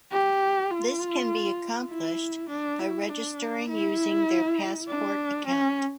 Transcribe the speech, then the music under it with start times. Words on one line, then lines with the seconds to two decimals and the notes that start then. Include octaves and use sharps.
This can be accomplished by registering using their Passport account.
0.11 G4
0.70 F4
1.89 E4
2.49 D4
2.79 E4
3.09 D4
3.68 E4
4.87 D4
5.47 C#4